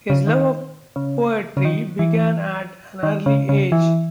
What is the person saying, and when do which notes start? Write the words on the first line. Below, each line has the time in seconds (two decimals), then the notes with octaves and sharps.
His love of poetry began at an early age.
0.10 C#3
0.27 D#3
0.96 C#3
1.57 C#3
1.65 D#3
1.99 E3
3.03 D#3
3.26 C#3
3.49 C#3
3.72 E3